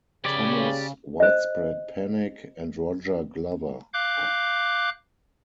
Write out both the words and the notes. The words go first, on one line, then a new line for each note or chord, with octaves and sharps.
Thomas, Widespread Panic, and Roger Glover.
C#3 G4 B4 C#5 D5
C5 D#5
F5 D6 F#6 G6